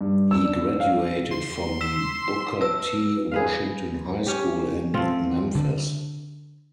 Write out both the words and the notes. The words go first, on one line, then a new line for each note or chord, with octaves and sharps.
He graduated from Booker T. Washington High School in Memphis.
G2
E6
D4
F5
C6
E6 B6 E7
B4 E6
G#4 B4 F5
C#4 G4
F3 A3 C4 F4
D3